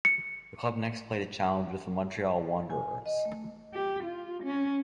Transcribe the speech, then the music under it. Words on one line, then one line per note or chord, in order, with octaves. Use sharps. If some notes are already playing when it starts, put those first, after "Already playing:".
The club next played a challenge with the Montreal Wanderers.
C#7
G#5
D#5
A3
G4
F4
C#4